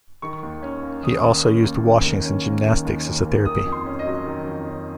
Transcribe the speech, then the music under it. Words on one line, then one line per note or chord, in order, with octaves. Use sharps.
He also used washings and gymnastics as a therapy.
D#3 C#6
D#2
C#4
A#3
D#3 D#6
D#2
C#4
A#3
D#3
D#2
C#4
A#3
D#3
D#2
C#4
A#3
D#3 D#6
F2
C6
C#4
D#5
F#3
D#3
F2
C#4